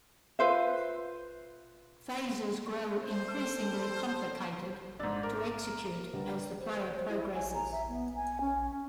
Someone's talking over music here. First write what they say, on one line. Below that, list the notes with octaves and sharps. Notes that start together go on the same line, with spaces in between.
Phases grow increasingly complicated to execute as the player progresses.
F4 B4 C5 E5
A4 C5
G#2 D4 E6 A6
A#4 D6
D3 G3 B4
C5
E4
G#5
A#5
E5
B3
G#5
C#4